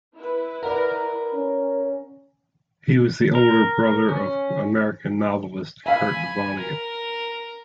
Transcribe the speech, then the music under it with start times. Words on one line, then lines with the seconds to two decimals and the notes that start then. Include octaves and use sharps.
He was the older brother of American novelist Kurt Vonnegut.
0.16 E4 B4
0.63 A#4 D5 F#5 A#5
1.33 C#4
3.35 A#4
4.09 C#4
5.86 E5 F5 G#5 B5
6.59 A#4